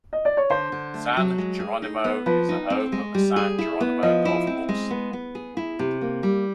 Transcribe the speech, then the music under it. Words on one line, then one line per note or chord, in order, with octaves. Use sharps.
San Geronimo is the home of the San Geronimo Golf Course.
D#5
D5
C#5
D3 C5
D3
A3
F#3
G#3
G#4
D#4
B3
F3 B4
D#4
C4
G#3
G3
G#4
E4
B3
F3 D#5
E4
C4
G#3
B3
B3
G#4
E4
C3
A#3
G3